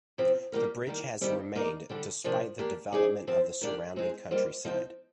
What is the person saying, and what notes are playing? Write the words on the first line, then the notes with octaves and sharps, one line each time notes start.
The bridge has remained despite the development of the surrounding countryside.
C3 F3 C4
G3 A#3 D#4 G4 A#4
D#3 G3 A#3
D#3 G3 C4
A#3 D#4 A#4 D5
D3 G3 D4
C3 F3 A#3 D4 G4
A#3 D4 G4 D5
C4 D#4 G#4 D5
F3 C4 G4
D#3 A#3 D4 G4 D5
G#3 C4 D#4 G#4
G3 A#3 F4 C5 D#5
F3 C4 D#4